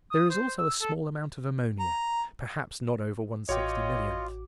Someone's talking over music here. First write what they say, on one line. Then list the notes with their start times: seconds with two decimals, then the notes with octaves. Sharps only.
There is also a small amount of ammonia, perhaps not over one-sixty-millionth.
0.11 D#6
0.30 C5
0.58 E6
0.81 A4
1.80 A#5
3.49 A1 F4 F#4 C#5 D#5 G5 D6